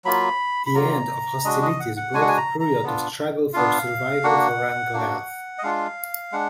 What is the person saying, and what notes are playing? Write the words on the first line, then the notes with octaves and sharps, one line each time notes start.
The end of hostilities brought a period of struggle for survival for Ranelagh.
F#3 A#3 F4 B5
B5
F#3 A#3 F4 A#5
G#3 D4 F#4 D#5
D#5
F#5
F#5
G#3 D4 F#4 G#5
F#5
G#5
A#5
A#5
B3 D4 F4
B3 D4 F4 F5
A#3 D4 F#4 F#5
A#3 D4 F#4
D#5
G#3 D4 F4 F5
G#3 D4 F#5